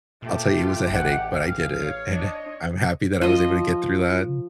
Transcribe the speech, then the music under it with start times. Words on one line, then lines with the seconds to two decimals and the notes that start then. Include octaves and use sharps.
I'll tell you, it was a headache, but I did it. And I'm happy that I was able to get through that.
0.22 A#2 A3 G4
0.58 F4
0.91 A1 F#5
1.32 G#4 F5
1.81 C#5
2.13 D4 D#5
3.21 F3 D#5